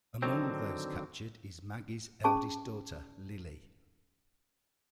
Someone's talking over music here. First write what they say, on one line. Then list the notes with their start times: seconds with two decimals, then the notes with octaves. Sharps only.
Among those captured is Maggie's eldest daughter, Lilly.
0.22 D3 D#3 F#3 C4
2.24 C#4 G#4 A5 C#6